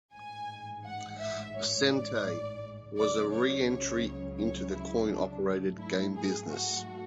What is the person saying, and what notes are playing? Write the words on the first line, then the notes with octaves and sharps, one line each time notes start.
Sente was a reentry into the coin-operated game business.
A1 G#2 G#3 G#5
F#5
E5
C#5
D5
C#2 C#3 F#3 D5
C#5
C#5
C#5
E4
D4
G#2 F#3 A3 E4
G#4
F#4